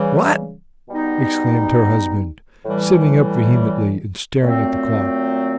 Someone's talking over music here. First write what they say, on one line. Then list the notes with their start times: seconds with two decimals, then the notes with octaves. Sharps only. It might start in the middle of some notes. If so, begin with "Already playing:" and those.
"What!" exclaimed her husband, sitting up vehemently and staring at the clock.
Already playing: C#3 E3 G3
0.89 B2 G3 B3 D#4
2.65 A2 E3 G3
4.42 A#2 F#3 A3 C4